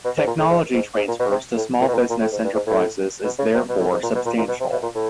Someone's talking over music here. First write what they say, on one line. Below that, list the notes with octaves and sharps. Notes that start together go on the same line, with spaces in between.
Technology transfers to small-business-enterprises is therefore substantial.
B2
G#2
A#2
A2
G#2
G#2
G#2
A#2
B2
C3
A2
A#2
B2
A#2
B2
A#2
A2
G#2
G2
G#2
A2
B2
C#3
C3
B2
A2
G#2
A#2
B2
A#2
A#2
B2
C3
B2
A#2
A2